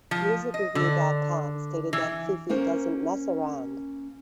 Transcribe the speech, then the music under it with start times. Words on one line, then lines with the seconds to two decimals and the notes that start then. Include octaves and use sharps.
Music-Review dot com stated that Fefe doesn't mess around.
0.11 F3
0.54 D#5
0.75 D3
1.93 E3
2.49 A#3 C#4 A#4 C5